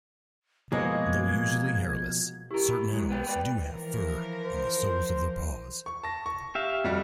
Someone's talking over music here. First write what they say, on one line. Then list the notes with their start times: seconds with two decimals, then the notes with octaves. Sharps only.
Though usually hairless, certain animals do have fur on the soles of their paws.
0.72 B2 F3 G#3 A#3 G#4 C#5 D#5 G#6
2.51 E4 G4 A#4
2.70 B5
2.93 G#3 F#4
3.09 B3 B4 G5
3.27 B4 D5 G5 B5
3.60 E3 F3 A#4
4.45 C5
5.86 C#6
6.03 A5 A#6
6.26 C#6
6.55 G4 E5 F5
6.84 F2 G3 F#4